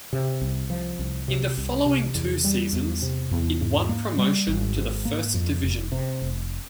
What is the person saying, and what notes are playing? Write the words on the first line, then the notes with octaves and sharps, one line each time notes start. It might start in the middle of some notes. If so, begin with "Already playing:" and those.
In the following two seasons, it won promotion to the first division.
C3
C2
F3
C2
C3
C2
C3
E2
G3
E2
C3
E2
G#2
A#3
G3
G#1
G#2
A#3
F2
F1
C3
F1